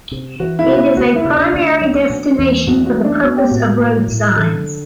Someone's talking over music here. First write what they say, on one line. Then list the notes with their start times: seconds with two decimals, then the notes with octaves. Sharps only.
It is a primary destination for the purpose of road signs.
0.11 C3
0.40 E3 F#4
0.59 E4
0.68 C3 F#4
0.78 E4
0.97 D2 F#4
1.15 E4
1.25 C3
1.34 D4
1.53 D2 D4
1.81 F#3
2.10 B2
2.38 E2
2.67 E2 F#4
2.86 F#4
2.95 A3
3.04 D4
3.24 B3 F#4
3.37 G4
3.51 A2 F#4
3.79 A2
4.08 A2
4.36 D3 A4